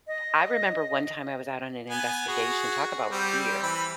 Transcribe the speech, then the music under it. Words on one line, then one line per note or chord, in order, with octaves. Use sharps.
I remember one time I was out on an investigation- talk about fear-
D#5
B3 G#5
F#4 G#4
G3 C4
E3 B5